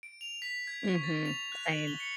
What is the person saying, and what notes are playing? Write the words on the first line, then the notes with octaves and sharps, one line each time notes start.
Mhm. Same.
D7
F7
B6
G#6
C#6
A6
F7
F#6
F#7
G7
C#7